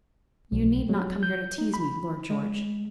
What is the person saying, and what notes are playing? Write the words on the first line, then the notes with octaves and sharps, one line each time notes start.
"You need not come here to tease me, Lord George."
B1
F#3
G6
D#4
B5
G#3